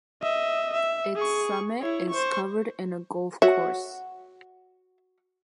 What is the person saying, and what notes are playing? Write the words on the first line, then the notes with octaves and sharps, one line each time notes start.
Its summit is covered in a golf course.
D#5 E5
E5
G#4 C#6
E4 C#5
C5 C#6
F#4 C#5 E5 F#5